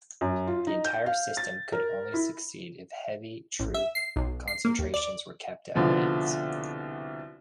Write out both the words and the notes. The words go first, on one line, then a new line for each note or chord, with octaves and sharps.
The entire system could only succeed if heavy troop concentrations were kept at Mainz.
F#2
F4
D#4
G6
F5
A6
A#4
E4
A1
E5
C7
B1
C7
A#3
D#2
D5
C2 B2 D3 F3 B3